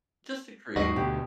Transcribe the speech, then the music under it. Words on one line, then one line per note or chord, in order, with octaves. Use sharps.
Just to create.
D#2 G#2 F#4 D#5 A#6 C7
D2 B2 G4